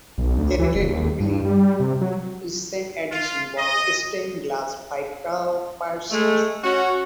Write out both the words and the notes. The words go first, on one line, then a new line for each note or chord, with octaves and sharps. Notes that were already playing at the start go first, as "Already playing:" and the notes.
A relatively recent addition was stained glass by Karl Parsons.
B1
D2
E3
F#1
D#2
G2
G3
C3
F#3
F4
D#5
G#3 A3
C#4 F#4